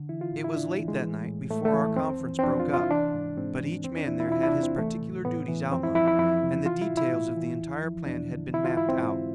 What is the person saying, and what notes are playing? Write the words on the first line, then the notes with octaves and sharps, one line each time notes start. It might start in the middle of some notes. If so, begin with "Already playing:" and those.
It was late that night before our conference broke up, but each man there had his particular duties outlined, and the details of the entire plan had been mapped out.
Already playing: D3
E3 E4
F4
A2
E4
A2 D4
E3
G#3
E3
A2
A2 A3
A3
E3
F2 C4
E3
C4
F2 D4
F4
C3
F4
E4
E3 D4
G#2
G#2 C4
E3
E2 C4
D4
E3 E4
E4
F4
E2 E4
E4
D4
C3
C4
E3 A3
A2
A2 B3
E3
F2 C4
E4
F3 E4
E4
F2 E4
C3
E3 F4
E4
A2
E4
A2
E3
E2
F3
E2 D4
D3
E3 E4
F4
G#2 E4
C4
G#2